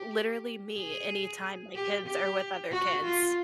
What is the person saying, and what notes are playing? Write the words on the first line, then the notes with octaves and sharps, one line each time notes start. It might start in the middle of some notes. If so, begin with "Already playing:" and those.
Literally me, anytime my kids are with other kids.
Already playing: G4
G#4
G4
G4
F#4
F4